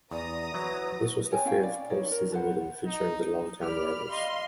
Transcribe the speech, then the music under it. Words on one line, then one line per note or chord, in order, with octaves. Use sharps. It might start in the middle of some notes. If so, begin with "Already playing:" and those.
This was the fifth postseason meeting featuring the long time rivals.
E2 D5 A#5 D#6 A#6
F#3 E4 F#4 B4
C#5 G5 G#5
C#4 E4 F5 G5
D5
D#4 C#5 D5
A#4
A4 B4 C5 F#5
D#4
G4 D5 B5 F6
D#5 F5 C6